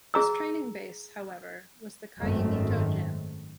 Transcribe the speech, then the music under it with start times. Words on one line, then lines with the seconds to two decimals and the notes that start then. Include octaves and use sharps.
His training base, however, was the Caimito Gym.
0.14 G#4 A#5 E6
2.20 G#1 F#2 D#3 A3 C4